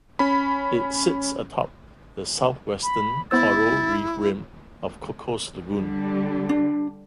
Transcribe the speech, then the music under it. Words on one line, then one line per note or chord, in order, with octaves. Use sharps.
It sits atop the southwestern coral reef rim of Cocos Lagoon.
C#4 B5
B5
B3 E4 C5 E6 A6
D3 G3
D4